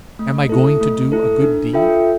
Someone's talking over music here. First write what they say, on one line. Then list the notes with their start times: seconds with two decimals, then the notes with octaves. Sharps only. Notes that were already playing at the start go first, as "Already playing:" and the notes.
Am I going to do a good deed?
0.19 A3
0.49 E4 A4
0.81 A3
1.12 E4 A4
1.42 D4
1.74 F4 A4 E5 G5